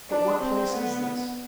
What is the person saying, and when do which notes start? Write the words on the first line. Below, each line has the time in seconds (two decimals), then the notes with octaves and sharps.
"But what place is this?"
0.10 D4
0.41 C4
0.71 B3